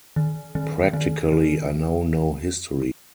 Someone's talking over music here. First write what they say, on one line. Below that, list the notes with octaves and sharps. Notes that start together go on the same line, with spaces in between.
Practically I know no history.
D#3
D#3
D#3
D#3